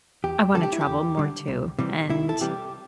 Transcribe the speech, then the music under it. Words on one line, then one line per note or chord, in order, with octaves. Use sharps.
I wanna travel more, too, and
E2 G4
D3 G3 A4
G4
E4
G4
E2
D3 G3
C2
C3 E3 G3
C2 E4
A4
C3 E3 G3 G4